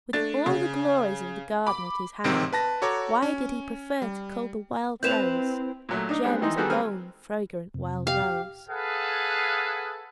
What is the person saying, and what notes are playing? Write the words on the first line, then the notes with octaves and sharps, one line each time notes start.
With all the glories of the garden at his hand, why did he prefer to cull the wild-rose,--Jem's own fragrant wild-rose?
A3 D4 A6
C#3
B5 D6
A1 G#2 C3 D#3 C4 D7
B4 A5 A#6
F#4 A4 C#5 A#5 D6
C#4
G3
C4 E4 B4 C5 G6 E7 F7
A#2 F#3 A3
D4 D#4
G3 G#3 B3 C4 D4
D#3 E3 D#4 D#5 C6
D#3 G3 B3 F#4 G#4 A4
G#3 C4 B4 G#5 F6
F2 C3
G4 F5
G#4 A4 B4 F5 F#5